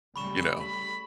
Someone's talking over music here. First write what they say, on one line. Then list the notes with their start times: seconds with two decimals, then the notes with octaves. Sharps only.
you know,
0.16 C#3 G3 A3 B5 C#6 E7
0.61 B5 F#7